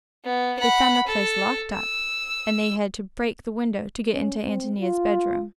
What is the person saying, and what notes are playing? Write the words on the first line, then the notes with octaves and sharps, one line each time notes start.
They found the place locked up, and they had to break the window to get into Antonia's bedroom.
B3
F#5 B5
A4
E6
C#4
C4
F4